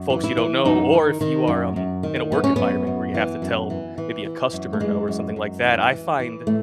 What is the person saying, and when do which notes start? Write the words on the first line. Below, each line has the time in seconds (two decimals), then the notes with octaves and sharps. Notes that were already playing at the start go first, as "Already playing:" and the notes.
folks you don't know, or if you are, um, in a work environment where you have to tell maybe a customer no, or something like that, I find
Already playing: F#2
0.10 E3
0.24 E4
0.37 E3
0.65 F#2 D#4
0.93 D#3
1.21 D#3
1.47 F#2
1.76 F#2
2.03 D#3
2.32 F#2 B3
2.44 C#4
2.56 F#2 B3
2.87 F#2
3.14 E3
3.42 F#2
3.70 E3
3.98 E3
4.25 E3
4.53 F#2
4.73 A3
4.80 E3 G#3
5.08 F#2
5.36 F#2
5.63 E3
5.91 E3
6.19 E3
6.47 A2 A3